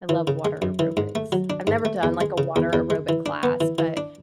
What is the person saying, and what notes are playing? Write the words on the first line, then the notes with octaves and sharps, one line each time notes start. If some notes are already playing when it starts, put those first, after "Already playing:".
I love water aerobics. I've never done, like, a water aerobic class, but
E3
C#3
G#3
F#2
E3
G#2
A3
F#3
D4
G#2
A3
E2
G#3
C#3
E2
E2
G#3
E3
D4
B3
E3
E3
D4